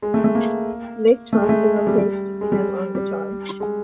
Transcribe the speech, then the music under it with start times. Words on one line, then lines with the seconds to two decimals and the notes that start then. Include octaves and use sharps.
Mick Thomson replaced him on guitar.
0.02 G#3
0.14 A3
0.24 A3
0.35 A#3
1.33 A3
1.42 G#3
1.49 A3
1.76 G#3
1.87 G3
1.98 G3
2.41 G#3
2.52 G3
2.95 G3
3.60 G#3